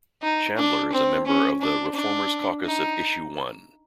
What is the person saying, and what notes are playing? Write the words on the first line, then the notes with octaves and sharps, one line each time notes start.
Chandler is a member of the ReFormers Caucus of Issue One.
D#4
D4
C4
C#4
D4
D4
D#4